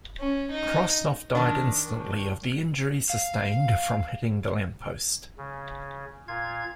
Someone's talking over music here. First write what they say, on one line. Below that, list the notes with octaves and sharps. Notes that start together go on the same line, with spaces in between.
Krosnoff died instantly of the injuries sustained from hitting the lamp post.
C#4
D#4
D#3 D4
F5
C#3
A#2 F4 F5 G#6